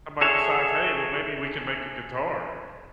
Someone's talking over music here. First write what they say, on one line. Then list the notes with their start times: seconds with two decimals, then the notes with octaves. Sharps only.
somebody decides, "Hey, well, maybe we can make a guitar."
0.21 G#4 A4 C#5 E5